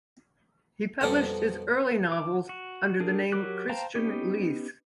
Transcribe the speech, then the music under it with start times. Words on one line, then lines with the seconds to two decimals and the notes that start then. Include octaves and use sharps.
He published his early novels under the name Christian Lys.
1.01 F2 B2 G3 D#4 A4 D6
2.12 D6
2.49 F#4
3.00 D4 G#4 A#4
3.32 F#3 G4 A#4 D6 F#6
3.69 C5 F5 G5 A5 A#5
3.95 B3 C#4 D#4 G4